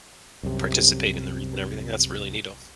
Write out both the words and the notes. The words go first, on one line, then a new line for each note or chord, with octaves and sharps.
Participate in the wreath and everything, that's really neato.
C2 F#2 C3